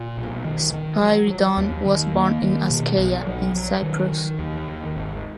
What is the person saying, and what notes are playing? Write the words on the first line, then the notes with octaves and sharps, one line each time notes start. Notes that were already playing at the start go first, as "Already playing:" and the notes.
Spyridon was born in Askeia, in Cyprus.
Already playing: A#2
B1
D#3
D#3
F#3
F#3
D#2
D#3
A#3
D#3
B2
B1
F#3
F#3
D#3
D#3
D#2
D#3
G#1